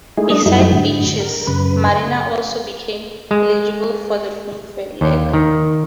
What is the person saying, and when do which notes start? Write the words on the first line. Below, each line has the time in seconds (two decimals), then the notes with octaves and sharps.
Besides beaches marinas also became eligible for the Blue Flag.
0.17 G#3 A3 D#4 E4 G#4
0.30 G3 A3 D4 D#5
0.46 F#2 F#3 G3 A3 D#4 E4
0.73 G#2 D3
1.20 A#4
1.47 F#2 C#3 B4
3.31 G#3
5.01 D#2
5.33 D#3